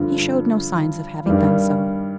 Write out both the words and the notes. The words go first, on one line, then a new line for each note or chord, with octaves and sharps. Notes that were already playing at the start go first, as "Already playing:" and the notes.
He showed no signs of having done so.
Already playing: G2 D3 F3
G2 D#3 G3